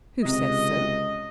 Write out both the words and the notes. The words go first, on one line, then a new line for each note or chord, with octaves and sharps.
"Who says so?"
C#2 C3 D#5